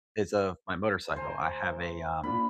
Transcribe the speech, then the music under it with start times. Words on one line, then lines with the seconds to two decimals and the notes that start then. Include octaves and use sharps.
is of my motorcycle. I have a, um
1.16 D2 C5 G#5 A#5
2.23 A#3 D4 F4 B5